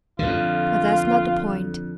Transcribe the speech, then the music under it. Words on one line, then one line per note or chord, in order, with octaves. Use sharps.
But that's not the point.
F2 D3 F4